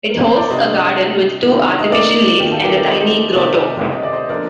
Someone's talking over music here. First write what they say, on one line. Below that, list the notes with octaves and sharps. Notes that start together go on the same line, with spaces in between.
It hosts a garden with two artificial lakes and a tiny grotto.
A#4
C5
D5
C3 G3 D4 C5 D#5
C3 D#3 A3 D4 F4
D#5
A#4 D5
D#2 D#3 A3 G4 A#4
F4 A4
G4 A#4
A#4 D5
C5 D#5
C3 D#3 A3 D#4 G4 A#4 D5
D#5
D5
C5 D#5
D3 F3 A#3 D4 A4 A#4 D5